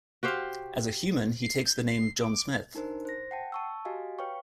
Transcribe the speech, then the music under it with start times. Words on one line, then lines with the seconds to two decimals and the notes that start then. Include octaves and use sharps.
As a human, he takes the name "John Smith".
0.23 F#4 G4 C5 F5
1.42 C7
1.65 G6
1.87 C7
2.20 D6
2.75 D4 D#4 A#4 C5
3.05 C5 A#6
3.31 F#5 G5 A5
3.52 A5 C#6 E6
3.85 F#4 G4 D#5 F5 G#5
4.19 B4 C#5 F5 G5 C#6